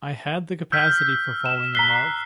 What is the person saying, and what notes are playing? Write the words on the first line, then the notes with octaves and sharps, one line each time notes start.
I had the capacity for falling in love.
E6 F6 G6 B6
E7
A#5 F#6 B6 C7 G7